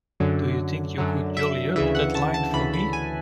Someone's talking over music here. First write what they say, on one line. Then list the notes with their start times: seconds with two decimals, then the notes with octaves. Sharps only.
Do you think you could jolly up that line for me?
0.20 F#2 D3 F#3
0.98 F#2 D3 F#3
1.37 E5
1.76 D2 C#3 E3 E5
1.95 F#5
2.15 A5
2.34 A5
2.54 D2 C#3 E3 B5
2.74 B5
2.93 G#5